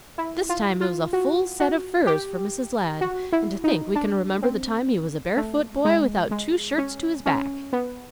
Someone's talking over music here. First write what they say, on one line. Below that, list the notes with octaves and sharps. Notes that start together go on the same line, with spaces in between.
This time it was a full set of furs for Mrs. Ladd; and to think we can remember the time he was a barefoot boy without two shirts to his back!
E4
F4
F4
F#4
F#4
G4
F#4
E4
D#4
D4
C4
A3
G#3
G#3
C#4
C#4
B3